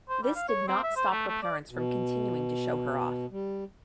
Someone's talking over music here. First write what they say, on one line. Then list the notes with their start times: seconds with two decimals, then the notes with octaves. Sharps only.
This did not stop her parents from continuing to show her off.
0.09 C5
0.23 G3
0.35 F5
0.48 C#5
0.68 C4
0.84 E5
0.96 C5
1.11 A3
1.28 A3
1.42 D5
1.70 B2
3.31 G3